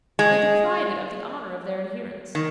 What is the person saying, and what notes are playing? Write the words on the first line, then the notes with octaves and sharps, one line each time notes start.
They deprive it of the honour of their adherence.
G#3
D#3